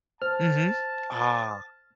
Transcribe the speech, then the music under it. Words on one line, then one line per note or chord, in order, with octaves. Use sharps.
Mhm, ah.
C5 A5 F6